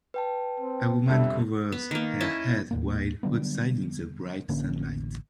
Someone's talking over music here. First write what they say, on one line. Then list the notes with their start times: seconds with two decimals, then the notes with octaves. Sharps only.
A woman covers her head while outside in the bright sunlight.
0.14 B4 G5 A5
0.60 C4
1.08 F2 D3 G3 E5
1.72 B3
1.91 D#3 A#3
2.20 C#4 E4 D#5 A5
2.71 D#2 A2 A#3
3.23 D3 F#3 G3 B3
4.49 A1 D3 A#3 C#4